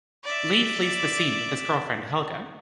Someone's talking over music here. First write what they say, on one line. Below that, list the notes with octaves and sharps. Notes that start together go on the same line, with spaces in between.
Lee flees the scene with his girlfriend Helga.
D5 E5